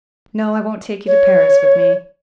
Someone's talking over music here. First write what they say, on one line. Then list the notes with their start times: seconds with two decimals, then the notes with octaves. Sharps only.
No, I won't take you to Paris with me.
1.07 C#5